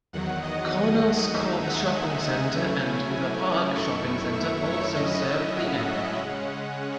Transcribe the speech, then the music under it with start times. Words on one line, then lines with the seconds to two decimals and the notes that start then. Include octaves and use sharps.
Cornelscourt shopping centre and "The Park" shopping centre also serve the area.
0.13 E2 D#3 F#3 F#5
0.43 D#5
0.74 D#5
1.33 D#2 D#3 G#3 D#4 E5
1.64 F#5
1.94 G#5
2.24 F#5
2.54 C#3 F#3 A3 C#4 E4 G#5
3.75 F#2 D#3 A3 E4 C#6
4.35 E5
4.65 C#5
4.95 A2 F#3 C#4 E4 D#5
5.25 E5
5.56 F#5
6.16 C#3 G#3 C#4